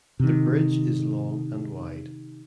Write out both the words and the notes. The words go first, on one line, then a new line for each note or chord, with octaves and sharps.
The bridge is long and wide.
C3 D#3